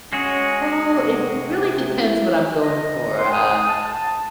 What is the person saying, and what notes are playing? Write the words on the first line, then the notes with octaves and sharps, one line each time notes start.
oh, it really depends what I'm going for, uh,
G#3 C#4 F#4 G#4
C3
E4
D#5
C6
D#6
A5
A5